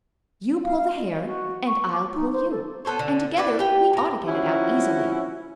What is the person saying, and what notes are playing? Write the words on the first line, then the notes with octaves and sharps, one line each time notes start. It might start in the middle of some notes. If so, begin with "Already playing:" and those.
"You pull the hair, and I'll pull you, and together we ought to get it out easily."
F5
F5
D#5
F#4
C#6
D6
D#4
C5
A4
B3 A4 C5 C#5
D3
E4 B4 D5
G4 G5
A2 A#5
F3 C#4 E4 F#4